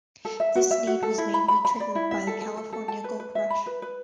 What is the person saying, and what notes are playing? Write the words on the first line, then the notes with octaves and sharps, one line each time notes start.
This need was mainly triggered by the California Gold Rush.
A4
E5
F#4
E5
F#4
A4
E4
B5
B5
B5
D5
E4
E5
A4
A4
A4
A4
A5
B4
B4
E5
B5
B4
B4